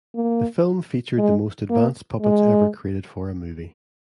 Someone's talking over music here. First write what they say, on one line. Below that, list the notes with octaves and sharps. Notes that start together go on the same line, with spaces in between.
The film featured the most advanced puppets ever created for a movie.
A#3
G#3
A#3
G#3